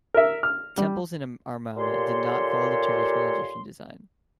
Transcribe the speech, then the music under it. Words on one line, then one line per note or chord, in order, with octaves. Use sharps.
Temples in Amarna did not follow the traditional Egyptian design.
A#4 E5
F6
G3
D#2 A#2 G4 A4 C#5 C6